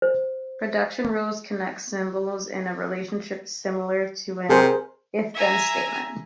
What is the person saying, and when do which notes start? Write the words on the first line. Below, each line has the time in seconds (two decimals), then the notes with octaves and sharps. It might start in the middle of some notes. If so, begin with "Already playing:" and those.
Production rules connect symbols in a relationship similar to an If-Then statement.
0.02 C5
4.50 C3 G#4 A#4 C5
5.34 E5 G#5 A#5